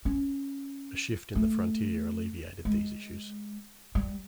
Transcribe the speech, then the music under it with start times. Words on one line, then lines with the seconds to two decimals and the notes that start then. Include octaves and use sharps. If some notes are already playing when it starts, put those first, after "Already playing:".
A shift in the frontier alleviated these issues.
0.05 C#4
1.35 A3
2.65 G#3
3.95 G3